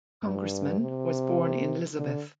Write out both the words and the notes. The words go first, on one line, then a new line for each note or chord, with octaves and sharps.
Congressman, was born in Elizabeth.
G2
C3
D3